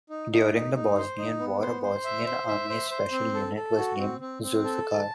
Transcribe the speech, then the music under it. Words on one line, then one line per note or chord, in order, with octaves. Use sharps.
During the Bosnian War, a Bosnian army's special unit was named "Zulfikar".
D#4
D#4
D#4
D#4
C5
D#4
B3
C5
C5
E5
C5
E5
C5
C5
C4
A4
A4
F#4
C4
C4
C4
A4
A5